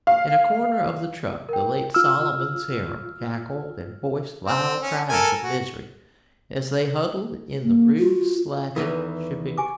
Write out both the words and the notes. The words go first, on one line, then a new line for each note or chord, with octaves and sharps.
In a corner of the truck, the late Solomon's harem cackled and voiced loud cries of misery as they huddled in the rude, slatted shipping coop.
F5
A#4 G5
F4 E6 F6
C4
C#4
A4 A#4 G#5
F#4
A#3
F4 F#4
E2 D#3 E3 A4 B4
G4 G#5 D6